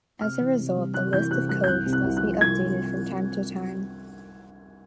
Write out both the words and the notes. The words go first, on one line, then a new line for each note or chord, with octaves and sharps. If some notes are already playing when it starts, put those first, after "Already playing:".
As a result, the list of codes must be updated from time to time.
C3 F6
E3
C3
G3
C3 F#6
E3 G6
C3 F#6
G3 F#6
G6
C2 F#6
C3
F#6
C2
F#6
F3
C2 G#6